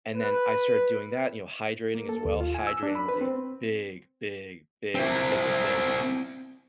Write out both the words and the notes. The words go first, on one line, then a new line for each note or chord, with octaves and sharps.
And then I started doing that, you know, hydrating as well. Hydrating was a big, big, big ticket thing,
B4
A#3
A4
D#2
F4
G#5
E6
D4
B5
B4
C4
C4 E4